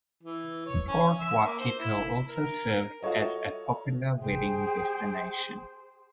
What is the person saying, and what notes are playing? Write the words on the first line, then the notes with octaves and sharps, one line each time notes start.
Port Waikato also serves as a popular wedding destination.
E3
C#5
C#4
E5
A#3
C5
E4
A#4
F4 F#4 A4 C#5 D#5
G4 G#4 C5 G5